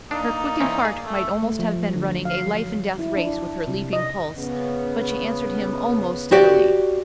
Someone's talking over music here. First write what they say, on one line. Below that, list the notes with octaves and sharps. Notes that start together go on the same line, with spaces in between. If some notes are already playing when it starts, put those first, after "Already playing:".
Her quickened heart might almost have been running a life-and-death race with her leaping pulse, but she answered him almost steadily.
A#3 D4 D#4 D5
E3 C4 C#4
G#4
A3 A4
A3
F3
D3
F5
F#3
E4
D4
C3
D#5
C#3 B3
F#4 G4 D5